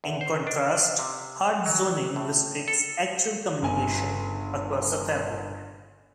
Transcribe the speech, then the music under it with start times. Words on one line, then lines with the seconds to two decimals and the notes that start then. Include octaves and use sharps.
In contrast, hard zoning restricts actual communication across a fabric.
0.04 E2
0.21 C5
0.47 D4
0.99 C3
1.66 F#3
2.16 A2
2.68 A4
3.62 G1 G#5